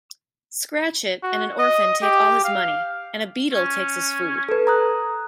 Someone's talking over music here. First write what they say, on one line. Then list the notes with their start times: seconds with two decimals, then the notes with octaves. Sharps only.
Scratchit and an orphan take all his money, and a beadle takes his food.
1.22 F#4
1.59 D#5
2.02 G4
2.44 F5
3.53 C#4
4.49 A4 B4
4.67 A#5 D#6 F#6